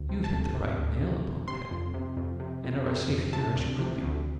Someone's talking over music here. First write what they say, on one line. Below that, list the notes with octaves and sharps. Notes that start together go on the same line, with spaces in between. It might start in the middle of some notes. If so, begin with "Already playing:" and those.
You've hit the right nail upon the head, and are as safe here as you could be.
Already playing: D2
C3
A5
D2
C3
D2
C3
D2
C3 C6
F2
C3
F2
C3
F2
C3
F2
C3 A5
D2
C3
D2